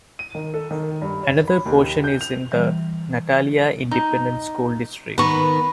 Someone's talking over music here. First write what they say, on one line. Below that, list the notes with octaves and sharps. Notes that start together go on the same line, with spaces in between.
Another portion is in the Natalia Independent School District.
D#7
D#3
A4
D#3
G2
C#5
B5
D#2
G6
F7
E3 G3
D#4
D#3 B3 B4 C#6